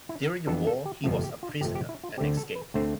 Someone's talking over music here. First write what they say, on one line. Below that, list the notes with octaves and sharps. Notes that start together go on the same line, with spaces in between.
During the war, he was a prisoner and escaped.
E4
F2 E3 B3 D4 A4
A4
G4
G1 F2 C3 F3 A3
G4
F4
G1 F2 C3 F3 A3 G4
G4
E4
F4
D2 D3 A3 C4 G4
A4
B4
D2 D3 A3 C4 C5